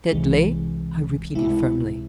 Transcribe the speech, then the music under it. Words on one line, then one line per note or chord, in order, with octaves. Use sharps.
"Sidley," I repeated firmly.
C2 C3 E3 G#3
C#2 C3 F3 G#3 E4